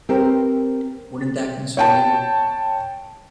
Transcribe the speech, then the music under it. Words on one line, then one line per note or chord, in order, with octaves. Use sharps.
Wouldn't that console you?
C4 G4 A#4
C#5 G5 A5